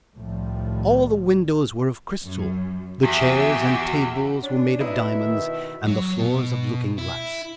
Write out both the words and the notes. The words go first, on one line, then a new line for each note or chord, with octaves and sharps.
All the windows were of crystal; the chairs and tables were made of diamonds, and the floors of looking-glass.
C2 A2 D#3 F3 G3
F#2
E2 F#4 G4 E5
C#4 D4
B2 D#4 E4 E5
D#3
F#3
B2
E4